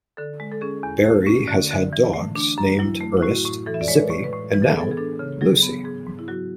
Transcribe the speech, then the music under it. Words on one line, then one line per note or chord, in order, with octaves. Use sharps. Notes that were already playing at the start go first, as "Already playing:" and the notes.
Barry has had dogs named Earnest, Zippy, and now Lucy.
D3 A4
G#3
A4
C#4 G#4
E2
A3 F#4
C#4
D3
D3
E3
A3
D4
F#2
F#3 E4
A3
E4
A2 F#4
A2
E3 A4
E5
D5
G#3 C#5
B4
A2
B4
A2
E3 B4
A4
G#4
B3 A4
G#4
D4 A4
C#3
F#3 G#4
B3
G#2 G#4
G#2
E4
F#3 F#4